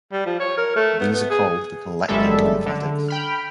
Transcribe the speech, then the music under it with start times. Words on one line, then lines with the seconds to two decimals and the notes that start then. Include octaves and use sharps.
These are called the "collecting lymphatics".
0.12 G3
0.26 F3
0.40 C#5
0.58 A#4
0.76 A3
1.00 B3
1.13 B3
1.30 G#4
2.08 G1 F#2 G3 G#3 A4 E5
2.66 D3
3.08 G5 B5 F6